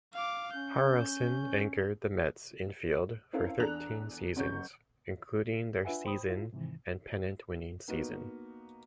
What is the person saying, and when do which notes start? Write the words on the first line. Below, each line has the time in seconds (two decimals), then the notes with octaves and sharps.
Harrelson anchored the Mets' infield for thirteen seasons, including their season, and pennant-winning season.
0.14 F5 D6
0.52 C#4 G6
3.33 C4 C#4 E4 A4 A#4 F5
3.59 E2 D4 A4 A#5 F#6 F7
4.36 F#1 F#3 C#4 C#6 G6
5.85 D4 F4 B4 E5 F#5 G#5
6.05 C5 G5 B5 D#6
6.28 E4 F4
6.53 G#2 C3 D#3 E3
7.88 A#3 B3 D#4 F#4